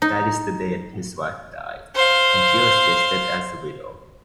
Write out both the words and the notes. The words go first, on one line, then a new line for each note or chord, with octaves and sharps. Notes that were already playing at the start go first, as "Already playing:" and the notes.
That is the date his wife died, and she was listed as a widow.
D#4
C5 F5